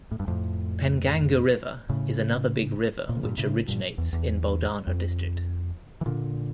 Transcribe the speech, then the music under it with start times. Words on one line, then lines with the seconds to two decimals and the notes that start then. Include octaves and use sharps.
Penganga river is another big river which originates in Buldhana district.
0.11 A2
0.20 G2
0.28 F2 A2
1.89 A2 C#3
3.09 A#2
3.16 C#3
3.23 G2 A#2
3.38 A2 C#3
3.68 G2 A#2
3.98 E2
4.13 E2
4.87 F2
6.01 E3
6.06 A#2 D3